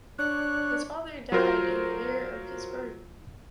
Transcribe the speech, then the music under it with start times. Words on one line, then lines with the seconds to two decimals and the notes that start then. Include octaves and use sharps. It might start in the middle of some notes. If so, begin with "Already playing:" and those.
His father died in the year of his birth.
0.19 D4 C#5 F#6
1.32 F#3 F4 A#4 C5